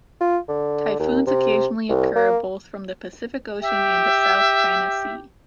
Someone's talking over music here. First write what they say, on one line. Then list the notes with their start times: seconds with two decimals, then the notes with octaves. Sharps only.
Typhoons occasionally occur, both from the Pacific Ocean and the South China Sea.
0.21 F4
0.48 D3
0.99 D#2
1.27 C3
1.89 C2
2.15 A#3
3.62 G4 E5